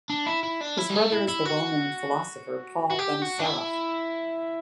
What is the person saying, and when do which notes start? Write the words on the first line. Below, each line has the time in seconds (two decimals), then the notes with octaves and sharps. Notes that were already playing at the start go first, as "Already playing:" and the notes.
His brother is the well-known philosopher Paul Benacerraf.
0.10 D4
0.27 E4
0.43 E4
0.61 D4
0.78 E4
0.90 G3
0.95 A3
1.12 E4
1.28 E4
1.46 F#4
2.90 F#4
2.99 G4
3.22 F#4
3.39 D4
3.45 E4